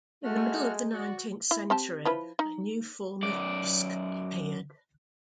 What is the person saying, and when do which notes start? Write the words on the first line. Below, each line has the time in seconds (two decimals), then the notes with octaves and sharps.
In the middle of the nineteenth century, a new form of busk appeared.
0.24 G#3 A3 F#4 F#5 F6
0.93 F#4 D5 F#5
1.51 E4
1.70 C4 G4 A5
2.05 F3 E4 B4
2.39 D#4
3.23 F#2 D5